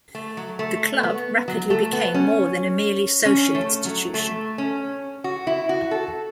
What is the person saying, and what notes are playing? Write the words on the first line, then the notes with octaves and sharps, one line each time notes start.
The Club rapidly became more than a merely social institution.
A3
F#3
A3
B3
F#3
A3
B3
C#4
C#4
A3
F#3
A3
C#4
F#4
E4
F#4
A4